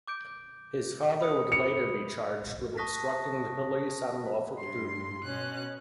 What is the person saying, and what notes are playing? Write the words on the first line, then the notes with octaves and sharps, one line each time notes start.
His father would later be charged with obstructing the police on lawful duty.
D6 G6 D7
B5 D#6 C#7
C#7 F7
A5 C#6 D#6 F#6 A#6 B6
G2 C6
B2 C#4 F#6